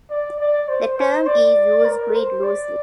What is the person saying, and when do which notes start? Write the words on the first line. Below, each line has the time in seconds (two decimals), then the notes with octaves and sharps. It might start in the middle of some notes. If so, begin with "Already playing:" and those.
The term is used quite loosely.
0.11 D5
0.41 D5
0.69 C5
0.98 C5
1.27 D5
1.85 A#4
2.15 C5
2.44 D5